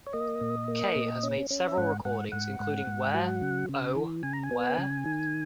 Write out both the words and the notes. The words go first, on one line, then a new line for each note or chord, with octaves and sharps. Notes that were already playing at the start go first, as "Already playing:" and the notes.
Kaye has made several recordings, including Where, Oh, Where?
C#5
A#3 D#5
A#2
A#3
A#2
C#4
C#4
E5
G#2 F#5
G#2 F#5
G#2 F#5
G#2
G#2
F#3
C#3
C#3
E3
C#3 G#5
A#5
G#5
B3
C#3
D#3